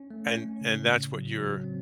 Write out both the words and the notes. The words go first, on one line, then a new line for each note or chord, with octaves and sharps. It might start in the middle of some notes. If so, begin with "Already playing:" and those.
and and that's what your
Already playing: C#4
A3
C#4
C#3
A2
F#3
F#3
C4